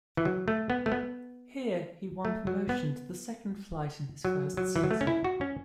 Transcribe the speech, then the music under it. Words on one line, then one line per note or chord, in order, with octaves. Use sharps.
Here, he won promotion to the second flight in his first season.
E3
F#3
A3
B3
A3
B3
A3
F#3
B3
F#3
F#3
E3
F#3
A3
C#4
E4
F#4
C#4